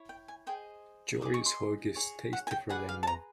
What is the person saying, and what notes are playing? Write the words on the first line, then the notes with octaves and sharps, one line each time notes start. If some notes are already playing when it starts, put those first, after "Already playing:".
Joey's hoagies taste different anymore.
Already playing: E4 C#5
G5
G#5
G#4 C5 D#5 G5
G#4 C5 D#5 D6
C#6
C6
G#4 C#5
F#5
G#5
G5
G#4 B4 D5 F#5
F5
A5
A#5